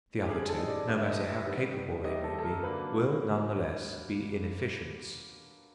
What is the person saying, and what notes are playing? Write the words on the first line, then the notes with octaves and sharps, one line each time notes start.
The other two, no matter how capable they may be, will none the less be inefficients.
G4
D3 G3 C4 G#4
A4
D#5
D5
D3 G3 B3
E5
D#5
E5
D#3 G3 B3
C3 D#3 G3 D#5
A4
A4
A#4
D3 F#3 A#3 B4